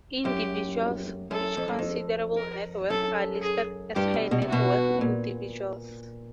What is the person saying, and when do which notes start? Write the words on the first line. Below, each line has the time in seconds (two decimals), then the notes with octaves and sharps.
Individuals with considerable net worth are listed as High-net-worth individuals.
0.25 F#2 G4
1.31 F#2 A4
1.57 F2
1.68 F#2
1.79 F2
2.37 A#4
2.90 F#2 A4
3.42 G#4
3.95 G2 G4
4.14 B2
4.31 B2
4.42 C3
4.48 B2 F#4
5.01 A#2